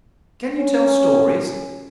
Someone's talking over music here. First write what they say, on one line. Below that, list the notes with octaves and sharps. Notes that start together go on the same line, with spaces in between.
'Can you tell stories?
C#4